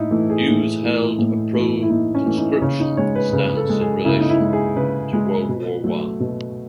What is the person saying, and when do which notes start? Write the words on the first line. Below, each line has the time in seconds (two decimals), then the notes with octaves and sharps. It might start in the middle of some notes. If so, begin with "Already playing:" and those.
Hughes held a pro-conscription stance in relation to World War One.
Already playing: A2 D#4 E4
0.11 E3 A3
0.30 G#4
0.48 A2
0.83 E3 A3
1.19 A2
1.54 E3 A3
1.82 E4
1.90 A2 D#4
2.15 C#4
2.26 E3 A3
2.37 D#4
2.62 C#3 C#4
2.80 D#4
2.97 G#3 C#5
3.15 B4
3.33 C#3 B4
3.57 A4
3.69 G#3
3.81 G#4
4.04 C#3 E4
4.20 D#4
4.29 E4
4.40 G#3
4.53 G#4
4.76 C#3 B4
5.13 G#3
5.49 B2
5.84 F#3 A3
6.20 B2